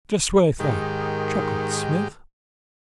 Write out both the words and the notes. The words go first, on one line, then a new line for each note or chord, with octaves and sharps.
"Just what I thought!" chuckled Smith.
G#2 D#3 G4